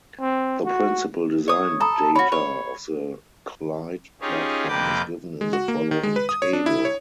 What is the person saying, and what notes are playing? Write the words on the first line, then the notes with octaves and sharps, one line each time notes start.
The principal design data of the Clyde platform is given in the following table.
C4
F#4
C#5 D#6
A4 A#5 B5 D#6
C#4 F#4 B5
C#5
C#4 D#4 F4 G4 G#4 C#5
F2 C3 A#3 B4 D6 G6
G#3
F#4
A#3
D#3
G#3
B4
D#6
C#5
D4
E4
C#5